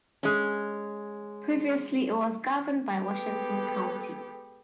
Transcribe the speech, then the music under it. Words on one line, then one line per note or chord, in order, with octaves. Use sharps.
Previously it was governed by Washington County.
G#3 C#4
G#3 B3 G4 A4